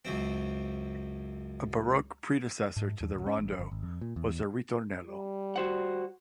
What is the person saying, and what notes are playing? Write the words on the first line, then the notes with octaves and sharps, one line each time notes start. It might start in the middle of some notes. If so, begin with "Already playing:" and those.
A Baroque predecessor to the rondo was the ritornello.
C#2 F#2 C4
G#2
E2
D1
C#4
A1
G1
G#1
F2
A#2
E2
G3
F#4 C5 F#5